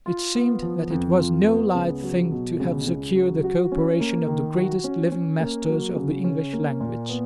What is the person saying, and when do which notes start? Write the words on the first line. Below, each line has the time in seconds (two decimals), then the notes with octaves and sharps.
It seemed that it was no light thing to have secured the cooperation of the greatest living master of the English language.
0.06 F4
0.35 B3
0.62 F3
0.90 F2
1.18 F4
1.47 B3
1.74 C#2
2.03 F#3
2.31 B2
2.59 C#2
2.87 C#2
3.15 F#3
3.44 F#4
3.72 C#4
4.00 A#3
4.28 D#3
4.56 F#4
4.84 C#4
5.12 C#4
5.40 A#3
5.69 F#3
5.96 C#3
6.24 C#4
6.53 A#3
6.80 A#2
7.09 B3